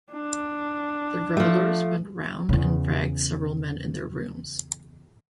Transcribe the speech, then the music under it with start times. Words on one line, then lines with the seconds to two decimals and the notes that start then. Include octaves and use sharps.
The revellers went round and ragged several men in their rooms.
0.13 D4
1.37 F3 A3
2.49 E2 C#3